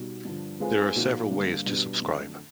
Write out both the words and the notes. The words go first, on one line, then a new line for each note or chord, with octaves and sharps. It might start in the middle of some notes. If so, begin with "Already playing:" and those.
There are several ways to subscribe.
Already playing: B2 G3 D#4 F#4
G2 D3 F3
G#3 C4 F4 G#4 B4
A#2 F3 A#3 D#4 F#4
G2 D3 G3 A#3
B2 G3 B3 D4
F2 D3 F#3 A3